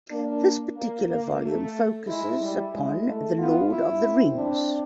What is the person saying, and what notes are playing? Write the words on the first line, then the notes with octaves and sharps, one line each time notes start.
This particular volume focuses upon "The Lord of the Rings".
A#3 D4
A#3
A#3
A3
G#3 E4
G3 E4
G#3
A3
B3 F4
B3 E4
C4
D4